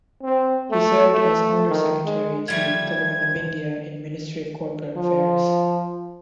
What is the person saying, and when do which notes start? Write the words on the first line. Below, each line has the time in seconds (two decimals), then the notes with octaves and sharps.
He served as Under Secretary to Government of India in Ministry of Corporate Affairs.
0.22 C4
0.71 A3
1.13 A3
1.69 D#3
2.05 G#3
2.48 F3 G3 A3 G#6
4.97 F3